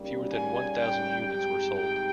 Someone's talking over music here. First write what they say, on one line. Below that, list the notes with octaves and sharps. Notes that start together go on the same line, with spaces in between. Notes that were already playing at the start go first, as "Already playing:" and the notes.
Fewer than one thousand units were sold.
Already playing: D#2 C#3 G3 A#3
G#5
G5
G#2 G3 C4 D#4 G4 G5
G5